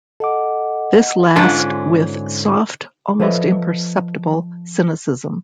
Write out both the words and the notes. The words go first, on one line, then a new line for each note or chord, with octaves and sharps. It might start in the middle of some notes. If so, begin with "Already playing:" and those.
This last with soft, almost imperceptible, cynicism.
A4 D#5 F#5 D6
G#2 D3 C#4 D4 F4
F3 A4 B4 C#5 D#5 E5